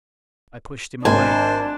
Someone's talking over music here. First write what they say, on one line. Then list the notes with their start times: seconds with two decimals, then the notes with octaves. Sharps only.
I pushed him away.
1.05 G#1 D4 C5 G#5 A5